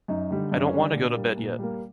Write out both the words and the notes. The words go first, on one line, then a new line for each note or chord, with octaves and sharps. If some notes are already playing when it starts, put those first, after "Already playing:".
I don’t want to go to bed yet!
F#2 D#4
D3 G3
F#2 D4
C#4
D3 G3
D4
A#2
G3 A#3
A#2
G3 A#3